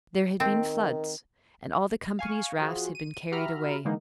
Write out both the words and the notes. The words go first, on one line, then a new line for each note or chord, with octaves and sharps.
There had been floods and all the company's rafts had been carried away.
D#3 C4
F5 G#5 C#6
F3 F4 F#4 G#4
D#7
F#4 G4 E5 A#5 B5 F6
D3 E3 G#3 A#3 B3 D#4